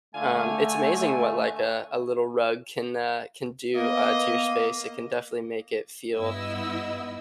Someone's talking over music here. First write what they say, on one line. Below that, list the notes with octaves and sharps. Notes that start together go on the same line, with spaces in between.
um, it's amazing what, like, a a little rug can, uh, can do, uh, to your space; it can definitely make it feel
D3 A3 F5 G#5
A#3 B3 D#5
G2 B3 E4 D#5 E6